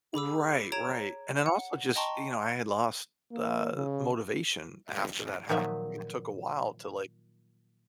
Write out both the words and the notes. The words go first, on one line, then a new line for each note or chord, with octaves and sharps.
Right, right. And then also just, you know, I had lost, uh, motivation after that happened to me. It took a while to, like,
G#4 B5 D6 E6
C#5 A#5 G#6 D7 E7
F#5
D#5 G5 A5 A#5 C6 C#6
A#3
C#3
A#2 D#3 F3 F#3 E5